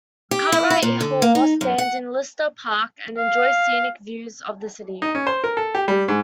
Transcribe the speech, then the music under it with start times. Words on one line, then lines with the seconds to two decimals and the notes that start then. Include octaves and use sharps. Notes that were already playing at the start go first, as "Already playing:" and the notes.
Cartwright Hall stands in Lister Park and enjoys scenic views of the city.
0.31 G4
0.52 E4
0.70 E4
0.83 A#2
1.01 D3
1.22 A#3
1.35 D#4
1.61 F#2
1.78 F#5
3.18 F5
5.02 D#4
5.15 C#4
5.27 C5
5.44 A#4
5.57 A4
5.75 G4
5.88 G3
6.08 G#2